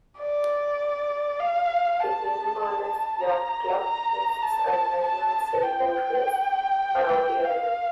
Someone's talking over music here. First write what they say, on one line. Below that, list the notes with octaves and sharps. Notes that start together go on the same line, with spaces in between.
The Inverness Yacht Club hosts an annual sailboat race around the island.
D5
F5
A5
A5
A#5
A#5
A5
A5
G5
F5